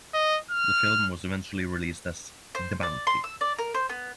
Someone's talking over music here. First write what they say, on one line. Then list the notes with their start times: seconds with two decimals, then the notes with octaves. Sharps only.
The film was eventually released as "The Bounty".
0.14 D#5
0.51 F6
2.55 C5
2.83 D5
3.07 C6
3.24 E6
3.41 D5
3.58 A#4
3.74 C5
3.89 B3